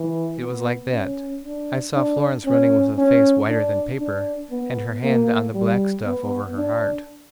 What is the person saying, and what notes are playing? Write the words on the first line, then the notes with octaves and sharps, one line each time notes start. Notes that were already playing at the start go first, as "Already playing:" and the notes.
It was like that--I saw Florence running with a face whiter than paper and her hand on the black stuff over her heart.
Already playing: E3
B3
C#4
D4
D4
C#4
C#4
D4
D4
B3
A#3
G3
B3
D4